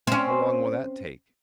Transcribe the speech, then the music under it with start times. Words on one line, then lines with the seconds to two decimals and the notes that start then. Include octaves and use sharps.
"How long will that take?"
0.07 C4 C#4